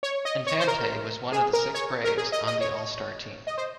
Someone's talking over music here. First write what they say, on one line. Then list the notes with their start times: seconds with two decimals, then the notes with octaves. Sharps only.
Infante was one of six Braves on the All-Star team.
0.03 C#5
0.25 D#5
0.47 C#5
0.60 C5
0.68 A#4
1.32 G#4
1.53 A#4
1.74 C#5
2.04 A#4
2.17 G#4
2.32 D#5
2.47 D#5
2.61 C#5
3.47 D#5
3.58 C5